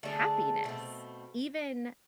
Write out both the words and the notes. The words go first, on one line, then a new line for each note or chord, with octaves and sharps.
happiness even
D3 A3 D4 G#4
B2 A3 C4